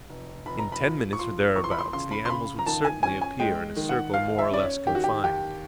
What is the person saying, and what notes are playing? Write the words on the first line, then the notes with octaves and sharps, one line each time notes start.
In ten minutes or thereabouts the animals would certainly appear in a circle more or less confined.
F1
F1 B5
A#5
B5
F3
C#6
F3 C6
E2 C#6
C6
B5
C6
C#3 C6
B5
C6
C#3 B5
A#5
D#3 A5
G#5
C#4 G#5
G#5
G#3 G5
D#3
F#5
D#2 F5
E5
C#4 D5
C#5
D#3 G4
F#4
G4
D#2 G4